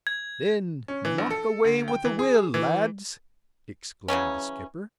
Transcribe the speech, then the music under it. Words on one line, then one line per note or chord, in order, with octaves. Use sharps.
"Then knock away with a will, lads!" exclaimed the skipper.
G#6
C#4
E3
A#1
A4
D2
G5
E3
G#4
E3
C#3 E3 F#3 C#4